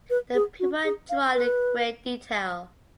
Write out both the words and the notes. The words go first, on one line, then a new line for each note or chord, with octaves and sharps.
The people are drawn in great detail.
B4
G#4
F#4
G#4
F5
B4